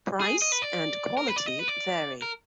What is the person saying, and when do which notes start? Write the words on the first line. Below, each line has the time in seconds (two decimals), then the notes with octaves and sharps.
Price and quality vary.
0.21 G#4
0.42 D#5
0.52 B4
0.62 D5
1.17 A#4
1.28 B4
1.36 D5
1.46 D#5
1.59 B4
1.68 D5
2.22 A#4